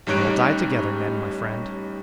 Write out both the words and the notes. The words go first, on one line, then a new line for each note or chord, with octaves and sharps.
"Then we'll die together, Ned my friend."
A1 G3 D#4 C#5 F#6 D7